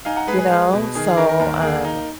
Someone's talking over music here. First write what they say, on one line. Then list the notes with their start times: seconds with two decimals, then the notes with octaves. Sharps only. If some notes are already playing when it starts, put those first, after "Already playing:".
You know? So, um
0.05 D#4 F5 G#5
0.16 F#5 A#5
0.27 G#3 G#4 B4
0.39 G#4 B4
0.50 G#3
0.73 B2
0.95 D#3 G#4
1.07 G#4
1.17 D#3 A#4
1.29 A#4
1.39 D#2 A#4
1.62 A#3 G#4
1.85 D#4